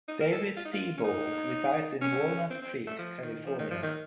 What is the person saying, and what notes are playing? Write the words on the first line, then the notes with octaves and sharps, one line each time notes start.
David Seaborg resides in Walnut Creek, California.
D#4
A#4
A4
F4
D#4
F4
C#4
D#4
C#4
C4
C4
A3
F3
D#3
F3
D#3
F3
D#3